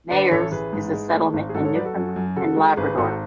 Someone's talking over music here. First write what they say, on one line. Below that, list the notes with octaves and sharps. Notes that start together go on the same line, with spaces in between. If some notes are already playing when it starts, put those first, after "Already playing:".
Mahers is a settlement in Newfoundland and Labrador.
D3 B4 D5
A1 A4 C#5
A1 G#4 B4
G#2
G#3
A3
G#1
G#4
G#2 F#4 A4
A4 C#5
F#3 B4 D5
F#4 A4
F#2
F#2
C#3 F#4 A4
G#3
G#1 G#4 B4
G#1 F#4 A4